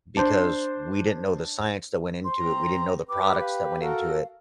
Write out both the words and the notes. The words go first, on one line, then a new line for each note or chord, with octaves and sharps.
because we didn't know the science that went into it, we didn't know the products that went into it
D4 C5
C5 C6
C4 A#5
G4 B4 D6
F5
F#4 A4 A#4 F5